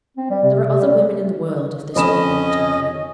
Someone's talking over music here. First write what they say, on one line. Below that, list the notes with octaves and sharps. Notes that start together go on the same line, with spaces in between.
'There are other women in the world, if this one will not have you.'
C4
G3
C3
C3
G3
F2 C#4 D#5 B5 E7